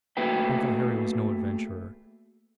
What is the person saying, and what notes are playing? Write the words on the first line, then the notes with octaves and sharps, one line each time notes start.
Uncle Harry was no adventurer.
A3 A#3 F#4 G#4 B4 G5